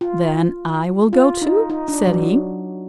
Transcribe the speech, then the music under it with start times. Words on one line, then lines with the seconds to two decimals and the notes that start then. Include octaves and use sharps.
"Then I will go too," said he.
0.01 F4
1.13 F4
1.42 D#4
1.70 D#4
1.88 D4
2.07 F#3